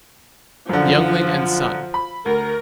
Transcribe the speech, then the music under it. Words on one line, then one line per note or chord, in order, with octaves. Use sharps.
Yuengling and Son.
F#2 D3 F3
B5
D2 A#4